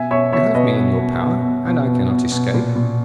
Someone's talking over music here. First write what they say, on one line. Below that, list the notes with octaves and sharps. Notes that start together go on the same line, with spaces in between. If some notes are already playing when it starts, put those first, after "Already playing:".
'You have me in your power, and I cannot escape.
Already playing: B2 E5 G#5
B2 C#5 E5
B2 C#5 E5
B2 B4 D#5
B2
B2
B2
B2
B2
B2
B2
B2
A#2
A#2